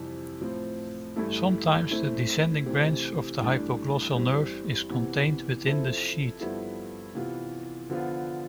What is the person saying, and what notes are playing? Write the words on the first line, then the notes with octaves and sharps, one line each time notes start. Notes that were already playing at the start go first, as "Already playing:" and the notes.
Sometimes the descending branch of the hypoglossal nerve is contained within the sheath.
Already playing: F2 C3 E3 G3
A2 F3 C4
G2 E3 A3 E4 A4
E3 A3 C4 E4
C3 E3 A3 C4 G4
G2 E3 A3 D4
G2 E3 G3 C4 G4
C3 E3 B3
F3 C4 E4 A4
G2 F3 B3 E4 A4
C3 E3 B3 F4
D3 F3 B3 F4